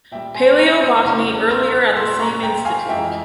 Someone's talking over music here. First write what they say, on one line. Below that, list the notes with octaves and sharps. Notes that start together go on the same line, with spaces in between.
Paleobotany earlier at the same institute.
A#2 G3 E5 G5
G#5 C6
A#5 C#6
C6 E6
C6
E2 C#3 E3 G3 A#5 C#6
C6 E6
A#2 G3 C6 E6
A#5 C#6
G5 A#5
F5 G#5
F2 E3 G#3 E5 G5